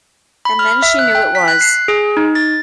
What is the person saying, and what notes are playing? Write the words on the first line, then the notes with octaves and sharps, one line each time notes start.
And then she knew it was.
B5
F6
E5
F#6
G5
B6
F#6
C7
G#4
D#4
A6